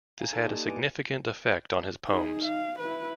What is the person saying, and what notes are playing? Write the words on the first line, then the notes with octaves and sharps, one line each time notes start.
This had a significant effect on his poems.
F5 G#5 A#5 G#6
D#4 A4 A5
A#3 G4 D5 D#5
B3 E4 B4 G#5 D6 D7
D#4 G#4
F5
E4 B4